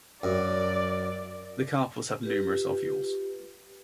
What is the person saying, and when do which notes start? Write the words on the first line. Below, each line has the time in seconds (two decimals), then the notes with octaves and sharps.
The carpels have numerous ovules.
0.23 F#2 D5
2.21 F4 G4 B4